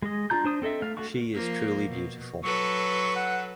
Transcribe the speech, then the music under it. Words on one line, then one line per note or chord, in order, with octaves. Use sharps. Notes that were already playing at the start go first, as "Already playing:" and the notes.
She is truly beautiful.
G#3 D#5
D4 F4 A#5 G6
D4 C5 D#6
C4 A4 D#5 E5
A3 F5
A3 F#4 F5 C#6
F3 A#3
B2
F#3 A4 B4 C#6
F#5